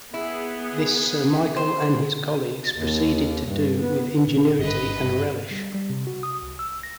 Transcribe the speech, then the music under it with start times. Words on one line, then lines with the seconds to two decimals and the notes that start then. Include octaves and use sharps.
This Sir Michael and his colleagues proceeded to do with ingenuity and relish.
0.14 B3 E4 G#4
1.56 C5
2.76 D#2
3.45 G2
3.79 B3
4.27 A#2 D#3
4.59 G#1 G2 B4 D#5
4.95 G2
5.51 G3
5.75 G3
5.90 C3
6.07 F#4
6.23 D#6
6.42 C2
6.59 E6
6.83 A#6